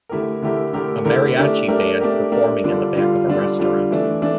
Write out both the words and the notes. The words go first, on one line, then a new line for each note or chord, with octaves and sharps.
A Mariachi band performing in the back of a restaurant.
D3 A3 E4 G4 A#4
D3 A3 E4 G4 A#4
D3 A3 E4 G4 A#4
D3 A3 E4 G4 A#4
A3 D4 G4 A#4
A3 D4 G4 A#4
A3 D4 G4 A#4
A3 D4 G4 A#4
D3 G3 D4 F4
D3 G3 D4 F4
D3 G3 D4 F4
D3 G3 D4 F4
E3 A3 D4
E3 A3 D4